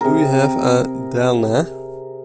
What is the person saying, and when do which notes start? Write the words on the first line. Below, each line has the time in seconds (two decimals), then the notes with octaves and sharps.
Do you have a Delna?
0.01 C3 G#4 A#4